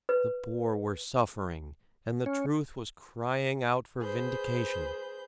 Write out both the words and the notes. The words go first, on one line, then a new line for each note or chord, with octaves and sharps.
The poor were suffering, and the truth was crying out for vindication!
B4
C#4
G#4 B4 C5 G6